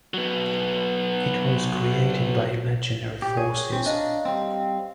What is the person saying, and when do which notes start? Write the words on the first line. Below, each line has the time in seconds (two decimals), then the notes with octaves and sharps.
It was created by Imaginary Forces.
0.14 F#3 B3
3.22 G4
3.37 G#4 C#5
3.72 C4
3.86 D4 D#5 F5 A#5
4.25 G3 C4